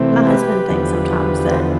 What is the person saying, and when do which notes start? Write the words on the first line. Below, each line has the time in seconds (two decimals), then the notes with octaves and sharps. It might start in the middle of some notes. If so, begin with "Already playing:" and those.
my husband thinks sometimes that
Already playing: C3 E3 A3 C4
0.27 G4 B4
0.69 E2 D3 F3 B3
1.51 C5